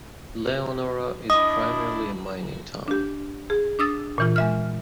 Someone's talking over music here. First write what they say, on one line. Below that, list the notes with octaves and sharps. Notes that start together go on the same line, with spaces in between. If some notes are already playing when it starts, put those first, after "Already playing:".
Leonora is primarily a mining town.
D4 E4 D#5 D#6
D4 G4
G#4
D4 D#6 E6 A6
A#2 E3 F4
G#3 E5 F6